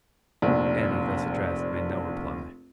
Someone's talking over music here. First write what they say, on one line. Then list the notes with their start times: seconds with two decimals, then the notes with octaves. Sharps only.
Annie, thus addressed, made no reply.
0.42 F1 A#1